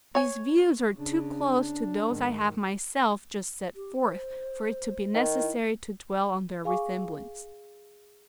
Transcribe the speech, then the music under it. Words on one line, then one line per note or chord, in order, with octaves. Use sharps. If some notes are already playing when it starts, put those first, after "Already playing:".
These views are too close to those I have myself just set forth for it to be necessary to dwell on their resemblance.
C#5 G#5
C#3 D4
G#2 D#3
G4
C5
D#3
E4
G#4 F5 G#5 C#6 D6